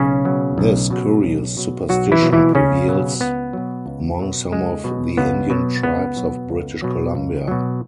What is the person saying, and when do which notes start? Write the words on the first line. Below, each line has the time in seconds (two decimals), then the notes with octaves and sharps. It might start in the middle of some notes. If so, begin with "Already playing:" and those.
This curious superstition prevails among some of the Indian tribes of British Columbia.
Already playing: B1 C#3 C#4
0.25 B2 F#3
0.58 B1
0.90 B2 F#3
1.23 B1
1.57 B2 F#3
1.89 B1 F#3 F#4
2.12 E3 E4
2.22 B2 F#3
2.33 E3 E4
2.55 C#2 C#3 C#4
2.88 B2 F#3
3.21 C#2 B3
3.53 B2 F#3
3.86 C#2
4.19 B2 F#3
4.52 C#2 G#3
4.84 B2 F#3
5.17 C#2 B3
5.50 B2 F#3
5.83 C#2 B3
6.17 B2 F#3
6.50 C#2
6.82 B2 F#3
7.15 C#2
7.48 B2 F#3